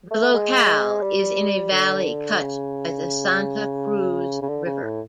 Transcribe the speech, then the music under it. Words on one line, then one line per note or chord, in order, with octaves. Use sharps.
The locale is in a valley cut by the Santa Cruz River.
A3
G#3
G3
D3
C#3
C#3
D3
C#3
A2